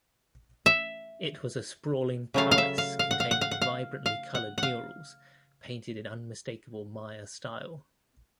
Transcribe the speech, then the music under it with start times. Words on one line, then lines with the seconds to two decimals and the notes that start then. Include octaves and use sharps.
It was a sprawling palace containing vibrantly colored murals painted in unmistakable Maya style.
0.66 E5
2.34 C#3 F#3 A3 F5
2.51 F5
2.58 E5
2.78 F5
2.99 F5
3.11 F#5
3.20 F5
3.31 F#5
3.41 F5
3.51 F#5
3.62 F5
4.06 F5
4.35 F#5
4.58 F#5
4.63 F5